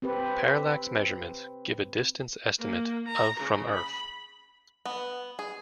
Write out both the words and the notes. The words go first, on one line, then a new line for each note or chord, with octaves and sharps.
Parallax measurements give a distance estimate of from Earth.
C4 G4 B4
A#3
A#5
C#3
B5
B3
G#4